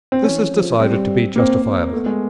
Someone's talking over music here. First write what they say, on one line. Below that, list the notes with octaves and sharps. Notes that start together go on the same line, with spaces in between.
This is decided to be justifiable.
C4
E3 C#4
F3
G3 C4
A#3 C4
C4
A3 B3
G#3